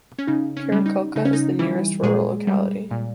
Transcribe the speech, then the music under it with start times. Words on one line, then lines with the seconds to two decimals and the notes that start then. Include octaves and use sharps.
Karakulka is the nearest rural locality.
0.19 C#4
0.28 C#3 D#4
0.57 C#4
0.72 G3
0.86 D#4
1.16 C#3 D#4
1.25 C#4
1.33 D#4
1.59 E3 G3 E4
2.03 A#2 G#3 G#4
2.47 G3
2.91 A#2